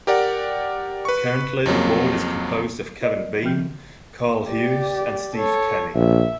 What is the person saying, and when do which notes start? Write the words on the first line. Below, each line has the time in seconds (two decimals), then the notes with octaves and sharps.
Currently, the board is composed of Kevin Bean, Carl Hughes, and Steve Kenney.
0.07 G4 A#4 D5 F#5
1.05 B4 C#6
1.66 F2 C#3 F#3 A#3
3.01 F4 A#4 D5 D#5
3.43 F3 C4 F#4 G5 F6 G6
4.46 G4 D5
5.35 A4 C#5
5.95 A#1 E5